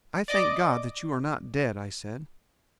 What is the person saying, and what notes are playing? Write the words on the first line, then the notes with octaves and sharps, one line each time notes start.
"I thank God that you are not dead," I said.
D5 D#5 D6